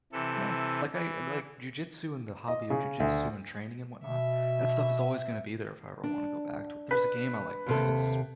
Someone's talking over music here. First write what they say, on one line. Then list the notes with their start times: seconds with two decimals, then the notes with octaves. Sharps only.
you know, like I uh, like, jujitsu, and the hobby of jujitsu, and training and whatnot, that stuff is always gonna be there if I ever wanna go back to it There's a game I like playing, it's
0.13 C3 E3 A4
0.93 E3
2.48 D#5
2.70 C#3
3.00 D2
4.05 B2 E5
6.04 D4
6.91 B4
7.66 D#2 C3 A4